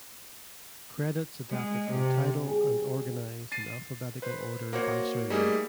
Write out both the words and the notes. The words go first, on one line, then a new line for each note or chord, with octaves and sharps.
Credits adapted from Tidal and organized in alphabetical order by surname.
G#3
C3
G3 G#4
A6 C7 D#7
B4 C5
A#3 F#4 C5 C#5
G3 A3 A#3 D#4 G#4